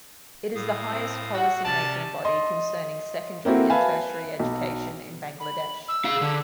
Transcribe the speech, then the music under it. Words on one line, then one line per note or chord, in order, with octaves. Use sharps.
It is the highest policy making body concerning Secondary and Tertiary education in Bangladesh.
A2 F5 D#6
C4
F#4 F#5 A5 E6
C3 C#4 D5 A5
D#5 C6
A#3 C4 E4 F#4 A4
B4 E5 F5 G#5 A5 B5
B1
B5
E6
G#4 F5
D3